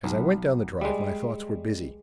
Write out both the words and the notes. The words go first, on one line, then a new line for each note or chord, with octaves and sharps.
As I went down the drive, my thoughts were busy.
B1
G3 G#3